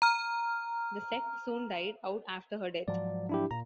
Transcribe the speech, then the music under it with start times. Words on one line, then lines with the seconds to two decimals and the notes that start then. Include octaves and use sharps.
The sect soon died out after her death.
0.02 A#5 F6
2.88 G#2 F3 F#3 D5
3.29 D4 E4 G4
3.51 A#2 A#5